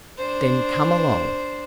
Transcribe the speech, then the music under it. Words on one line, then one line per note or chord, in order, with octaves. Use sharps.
"Then come along."
D4 C5